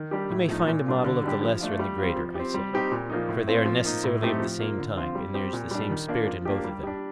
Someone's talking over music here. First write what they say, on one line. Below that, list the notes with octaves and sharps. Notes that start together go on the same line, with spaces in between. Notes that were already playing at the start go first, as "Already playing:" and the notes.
You may find a model of the lesser in the greater, I said; for they are necessarily of the same type, and there is the same spirit in both of them.
Already playing: D#3
G3 D4 G4
A2
F3 A3 D#4
A#2
G3 D4 F4
D3
G3 D4 G4
F3
A3 D4 F4
G3
C4 F4
F3
C4 G4
G3
C4 D#4 G4
A#2
F3 A#3 D#4
A2
A3 C4 F4
F3
A#3 D#4
A2
A3 C4 D#4 G4
F3
A#3 F4
D3
F3 C4 F4
G3
C4 G4
A#2
G3 D4
D#3
A#3 D4 F4
F3
A#3 D4 G4
G3
D4 G4